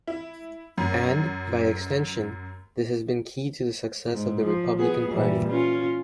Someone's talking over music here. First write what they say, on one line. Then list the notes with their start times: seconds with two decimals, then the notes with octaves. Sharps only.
And, by extension, this has been key to the success of the Republican Party.
0.08 E4
0.78 F#2
4.12 G#2
4.44 F3
4.78 B3 G#4
5.11 A#2 E3 G3
5.48 C#4 F4